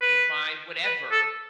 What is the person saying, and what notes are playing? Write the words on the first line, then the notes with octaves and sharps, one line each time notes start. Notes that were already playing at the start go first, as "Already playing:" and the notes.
uh, my" whatever.
B4
B4
A4